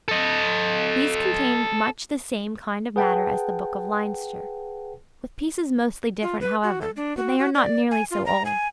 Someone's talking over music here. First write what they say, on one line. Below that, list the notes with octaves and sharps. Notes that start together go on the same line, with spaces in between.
These contain much the same kind of matter as the Book of Leinster--with pieces mostly different however--but they are not nearly so old.
A4 D#5
G#4 B4 F#5 G5 A5
F4
B4
F#4
A4
D4
F#4
F#4
D5
G#5
F4
A#5
G#5